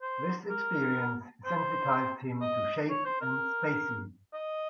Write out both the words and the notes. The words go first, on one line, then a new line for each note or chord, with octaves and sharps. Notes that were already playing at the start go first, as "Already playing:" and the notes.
This experience sensitized him to shape and spaces.
C5
A#4
C5
D#5
C#5
C5
A#4
D#5